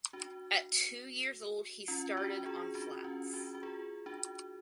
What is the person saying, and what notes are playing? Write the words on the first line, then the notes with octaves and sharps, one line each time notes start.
At two years old he started on Flats.
D4 F#4
C#4 F4
D4 F#4
F4 G#4
D4 F#4
C#4 F4
D4 F#4
F#4
F4 G#4
D4 F#4